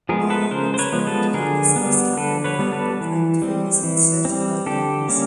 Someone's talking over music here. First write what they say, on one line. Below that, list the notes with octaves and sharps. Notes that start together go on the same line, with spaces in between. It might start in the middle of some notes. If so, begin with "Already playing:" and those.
All albums included on this list have their available claimed figures in certified copies.
F3 G#3 B3 G#4 A#4
A4 B4
C#3 A#4 C5
C5
B4 C#5
F3 G#3 B3
A4 B4
D3 G#4 A#4
G3 B3
D3 A4 B4
B4 C#5
G3 B3
A4 B4
E3
G3 C4
E3
G3 C4
D3 G4 A4
G3 A#3 C#4